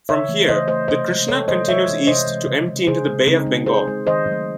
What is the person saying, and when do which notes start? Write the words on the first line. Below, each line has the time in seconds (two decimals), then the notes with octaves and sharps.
From here the Krishna continues east to empty into the Bay of Bengal.
0.09 C#3 C#5 E5
0.29 E3 A3
0.48 C#3 C5 D#5
0.68 E3 A3 C5 D#5
0.88 C3 C5 D#5
1.07 E3 G#3
1.28 C3 A4 C#5
1.48 E3 G#3 C5 D#5
1.68 C3 C#5 E5
1.87 E3 G#3
2.07 C3 C5 D#5
2.27 E3 G#3
2.47 C#3
2.67 G#3
2.87 C#3 G#4 C5
3.08 G#3
3.27 C#3 C4 D#4
3.46 G#3
3.66 C#3 G#4 C5
3.88 G#3
4.07 D#3 C5 D#5
4.27 F#3
4.32 A3